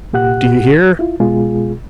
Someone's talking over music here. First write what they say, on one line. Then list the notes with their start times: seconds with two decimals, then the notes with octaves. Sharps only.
Do you hear?
0.13 C2 A#2 G4 F#5 F#6
0.99 E4 F4
1.20 B2 G#3 F4 G#4